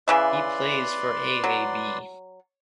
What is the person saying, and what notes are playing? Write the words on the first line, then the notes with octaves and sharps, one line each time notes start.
He plays for AaB.
C#3 E3 B4 D5 E5 C6
F#3